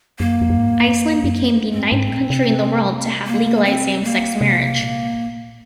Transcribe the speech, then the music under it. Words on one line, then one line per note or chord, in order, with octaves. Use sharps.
Iceland became the ninth country in the world to have legalized same-sex marriage.
F#2 A#3
F2
F#2
G#2
F#2
F2
F#2
G#2 C4
G#2
A#2
C3
A#3
C4
A#3
C3
A#2